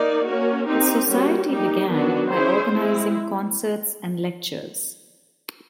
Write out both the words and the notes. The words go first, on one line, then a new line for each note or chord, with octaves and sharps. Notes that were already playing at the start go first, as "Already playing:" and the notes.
The Society began by organising concerts and lectures.
Already playing: A#3 D#4 D5
A#3 C#4 F#4 A#4
C4 D#4 G4
G3 A#3 C#4 F#4
G3 A#3 D#4 G4
D#3 F#3 B3 D4 F#4
C#4 E4 G#4 C5
G#3 C4 E4